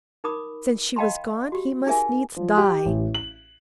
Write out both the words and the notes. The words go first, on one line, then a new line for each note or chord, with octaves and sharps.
Since she was gone, he must needs die.
D#4 A#4 B5 D6 D#6
D#5 F5 G5 A5 B5 C6
F#4 G4
D#4 G#4 A#4 E5 G#5
F3
G4
A1
F#7